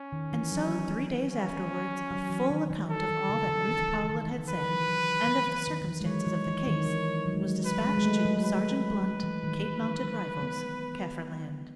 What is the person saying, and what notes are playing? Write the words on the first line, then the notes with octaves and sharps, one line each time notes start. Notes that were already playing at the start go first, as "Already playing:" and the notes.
And so three days afterwards a full account of all that Ruth Powlett had said, and of the circumstances of the case, was despatched to "Sergeant Blunt, Cape Mounted Rifles, Kaffirland."
Already playing: C#4
D#3
E3
F#3
C#4
F#3
E3
D#3
D#3
A4
D#3
C#3
D#3
E3
E3
E3
D#3
D#3
E3 B4
F#3
E3
F#3
E3
E3
D#3
D#3
E3
G#3
F#3 C#5
E3
E3
D#3
E3
F#3
G#3
F#3
B4
G#3
G#3
A3
F#3
B4
E3
D#3
D#3
E3
F#3
B3